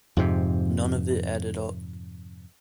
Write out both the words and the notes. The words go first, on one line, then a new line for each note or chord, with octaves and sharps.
None of it added up.
F2 G#2 C3